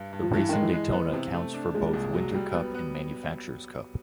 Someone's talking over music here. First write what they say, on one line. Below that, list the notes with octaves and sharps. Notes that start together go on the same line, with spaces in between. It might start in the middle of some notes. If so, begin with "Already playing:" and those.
The race in Daytona counts for both Winter Cup and Manufactures Cup.
Already playing: G2
G2
F3
G2 E3
D#3 G#3
E3
G#3
B3
C3
A3
D4
A#2 G#3
C2
F#3
G3
B3
B3